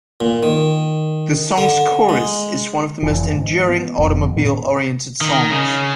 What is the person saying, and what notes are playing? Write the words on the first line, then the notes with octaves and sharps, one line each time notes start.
The song's chorus is one of the most enduring automobile-oriented songs.
A#2
D#3
D3
G#3
F1 E3
G#2 E3
B3
F1 F2 B2
A2 D#3 B3
D#3
C#3